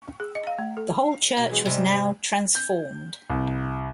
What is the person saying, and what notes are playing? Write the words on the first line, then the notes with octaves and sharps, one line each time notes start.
The whole Church was now transformed.
G#4
D#5
F5
A3
A4
B2
E3 F#3 G#3
G#2 C3 G3
G6
C2